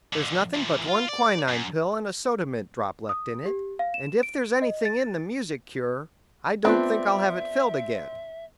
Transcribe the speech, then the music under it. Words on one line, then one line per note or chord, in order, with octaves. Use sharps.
There's nothing but one quinine pill and a soda-mint drop left in it, and if there's anything in the music cure, I don't think I'll have it filled again.
F2 D3
E2 A#2
F4
D5
F#2
D#6
G4
F5
E7
D7
D#5
A6
A3 B3 C4 D4 F4 B4 E5 F#6